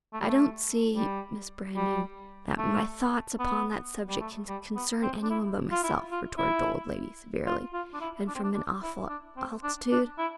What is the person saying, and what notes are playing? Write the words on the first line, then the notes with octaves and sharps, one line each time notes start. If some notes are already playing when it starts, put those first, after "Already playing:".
'I don't see, Miss Brandon, that my thoughts upon that subject can concern anyone but myself,' retorted the old lady, severely, and from an awful altitude.
A3
G3
A3
G3
G3
A3
B3
G3
A3
G3
B3
C4
D4
E4
F4
E4
F4
E4
F4
F4
D4
E4
D4
C4
D4
D4
E4
D4
C4
D4
D4
E4